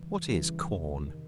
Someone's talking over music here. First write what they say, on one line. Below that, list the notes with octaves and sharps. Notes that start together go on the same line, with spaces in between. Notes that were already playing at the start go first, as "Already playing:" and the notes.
What is Corn?
Already playing: C#3 E3 G3
C#3 E3 G3
F2 C3 D#3
C3 D#3